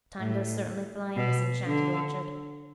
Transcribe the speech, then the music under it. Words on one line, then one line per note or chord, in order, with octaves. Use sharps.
Time does certainly fly in this enchanted orchard.
A2
B2
D3